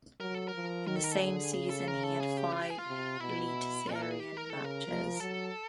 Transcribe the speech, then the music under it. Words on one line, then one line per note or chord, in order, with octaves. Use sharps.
In the same season he had five Eliteserien matches.
F#3 A#4
A4
A#4
F3
D#3 A#4
A4
A#4
A4
D3 G#4
C#3 G#4
A4
A#4
A4
G#4
G4
F4
G4
G#4
F4
C3
B2 E4
A#2
A#4
A4
G#4
G4
A#4
C#3 A4
A#4
F3
F#3 A4